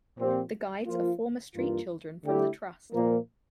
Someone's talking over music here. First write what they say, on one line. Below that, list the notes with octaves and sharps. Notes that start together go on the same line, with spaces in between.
The guides are former street children from the trust.
A#2 F3 C4 G4
F3 A#3 F4
G2 E3 A#3 F4
D3 A3 E4 G4
A#2 F3 A#3